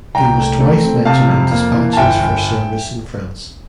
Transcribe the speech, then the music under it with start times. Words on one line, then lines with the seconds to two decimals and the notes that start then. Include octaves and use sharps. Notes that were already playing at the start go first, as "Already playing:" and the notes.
He was twice mentioned in despatches for service in France.
0.15 C2 G5 A#5
0.38 A3
0.60 A3
0.84 C4
1.05 C3 F5 A5
1.29 F2
1.52 A#3
1.74 E3
1.93 A5
1.97 G1 E5 G5
2.21 G1